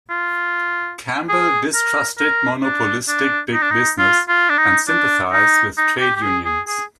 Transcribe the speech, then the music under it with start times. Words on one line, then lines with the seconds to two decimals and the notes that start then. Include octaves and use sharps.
Campbell distrusted monopolistic big business and sympathized with trade unions.
0.10 F4
1.29 G#4
1.74 A#4
2.19 A#4
2.64 D4
3.08 D4
3.54 D#4
3.62 D4
3.71 D#4
3.98 F4
4.29 F4
4.49 D4
4.58 D#4
4.88 D4
5.33 D#4
5.77 D#4
6.00 G4
6.16 G4
6.22 G#4
6.45 G#4
6.67 G#4